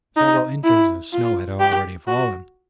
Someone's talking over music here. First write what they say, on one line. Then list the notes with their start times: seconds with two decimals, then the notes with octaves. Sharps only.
Several inches of snow had already fallen.
0.16 D#4
0.65 E4
1.12 F4
1.60 G4
2.07 F#4